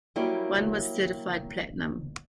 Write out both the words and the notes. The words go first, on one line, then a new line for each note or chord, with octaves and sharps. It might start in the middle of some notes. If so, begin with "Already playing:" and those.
One was certified Platinum.
F#3 G3 A#3 C#4 E4 G4